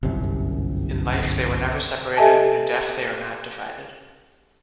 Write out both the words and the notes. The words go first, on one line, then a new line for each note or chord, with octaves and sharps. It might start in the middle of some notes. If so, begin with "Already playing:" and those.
In life they were never separated and in death they are not divided.
G1 C2 F#2 C3
G4 A4 D#5 E5 G#5 A5